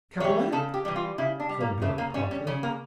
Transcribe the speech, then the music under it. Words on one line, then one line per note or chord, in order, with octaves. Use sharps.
"Capellette," from Billie promptly.
E3 G3 C#5
C#3 A4
G4
E3 G3
F4
C#3 E4
D4
G3
A#3
C#3 A3
A#3
G3 C#4
C#4
C#3 C#4
A#3